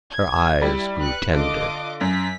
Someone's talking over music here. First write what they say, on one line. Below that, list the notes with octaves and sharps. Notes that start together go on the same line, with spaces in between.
Her eyes grew tender.
G#6
G3 E4
B4 F#6 C#7
D3 F4 D#5 D6
F#2 B6